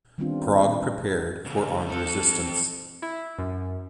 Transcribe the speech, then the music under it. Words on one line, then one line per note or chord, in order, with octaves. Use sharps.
Prague prepared for armed resistance.
D#3 G3 B3 C4 D4 F4
D#2 C#3
F3 C4 A4
E4
F#2